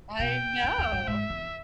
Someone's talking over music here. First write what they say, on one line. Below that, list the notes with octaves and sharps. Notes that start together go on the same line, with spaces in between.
I know!
B2 G5
G2
E2
G2
G#2 E5
E2